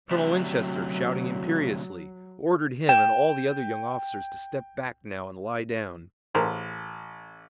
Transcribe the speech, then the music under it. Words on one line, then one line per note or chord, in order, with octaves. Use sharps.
Colonel Winchester, shouting imperiously, ordered him and all the other young officers to step back now and lie down.
D2 C3 F#3
G5 E7
A1 G#4 A#4 C5